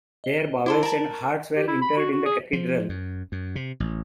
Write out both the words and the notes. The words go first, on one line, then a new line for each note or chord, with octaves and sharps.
Their bowels and hearts were interred in the cathedral.
D#5 G7
E4 A4 C5 B5 C6 D6
A#4 A5 A#5 F#7
G4
E4
B5
F#4
F#4
G#4
F3
F#2
F#2
C3
A1